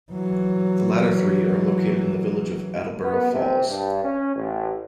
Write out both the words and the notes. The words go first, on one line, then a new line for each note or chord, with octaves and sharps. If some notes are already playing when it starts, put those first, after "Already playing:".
The latter three are located in the village of Attleborough Falls.
E3 F#3
B3
C3
G2
C#4
A1